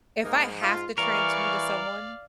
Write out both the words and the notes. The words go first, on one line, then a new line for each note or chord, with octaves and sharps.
if I have to transfer you to someone,
G#2 A#3 D#4 A#4
F4
E3 G3 A#4 D5 F5 C#6